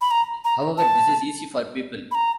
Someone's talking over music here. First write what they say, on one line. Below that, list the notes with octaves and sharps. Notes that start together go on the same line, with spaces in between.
However, this is easy for people.
B5
A#5
A#5
A5
B5
A#5